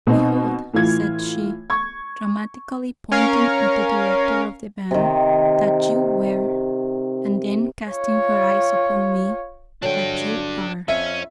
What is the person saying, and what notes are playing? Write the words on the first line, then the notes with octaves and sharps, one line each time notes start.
Behold," said she, dramatically pointing at the director of the band, "that you were," and then casting her eyes upon me, "that you are.
B2 C4 D#4
A2 E3 F4 G#6
C#6 G#6
C#4 A#4 C#5 F5
C3 D#3
F4 C#5
G2 D3 F#3 D4 G5
F2 C#4 C#5 E5